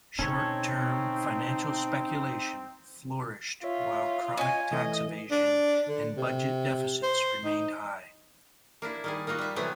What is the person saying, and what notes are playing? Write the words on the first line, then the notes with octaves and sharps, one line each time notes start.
Short-term financial speculation flourished, while chronic tax evasion and budget deficits remained high.
B2 D3 C4 C#4 D#4 A4 C#5
F4 C#5 E5
C#4 D#5 G#5
E3 A3 D#5
D4
D3
C3
C5
D#4
A#3 D4 E4
D#3 G3 G#4
A#3 D#4 F4 F#4
G3 E5
C3 E3 F#3 A3 B3